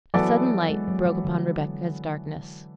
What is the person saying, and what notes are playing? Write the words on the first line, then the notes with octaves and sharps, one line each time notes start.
A sudden light broke upon Rebecca's darkness.
E3 F#3 B3 F#4 A4 D5
G#3
F#3
E3
D3